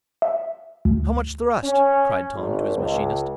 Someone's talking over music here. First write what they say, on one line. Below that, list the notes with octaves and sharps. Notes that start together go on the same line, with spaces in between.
"How much thrust?" cried Tom to his machinist.
E5
D2
C#4
G#1
C#2